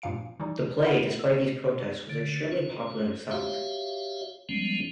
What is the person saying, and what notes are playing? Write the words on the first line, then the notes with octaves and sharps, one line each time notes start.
The play, despite these protests, was extremely popular in the South.
G2 A#2 F3 F5 C#7 D7
E3 G3 D#4
E4 B4 F#5
E6
D3
C#4
F#4 G4 C#5 E5 F5
F3 G3 G#3 B3 C#4